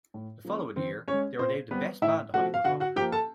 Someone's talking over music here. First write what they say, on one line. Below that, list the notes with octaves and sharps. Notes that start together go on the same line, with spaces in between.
The following year they were named the best band of Hollywood Rock.
A2
F3 A#3 C#4
E3 C4 C5
G#3 C#4 C#5
A#2 C4 C5
G3 B3 C4 B4
A2 E4 E5
F3 A3 F#4 F#5
F5
D3 F#4 F#5
F#4 F#5
F3 A#3 G4 G5
A4 A5